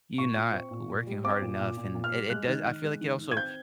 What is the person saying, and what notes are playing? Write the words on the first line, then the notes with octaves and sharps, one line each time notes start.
you not working hard enough, and it it does I feel like it also
A#2 C#6
A#2
C4
A#2
A#2
G3
C4 D6
A#2
A#2
A#2
A#2
F6
G3
G#3 F#6
D#3
D#3
G#3
D#3
D#3
G#6
C4 G6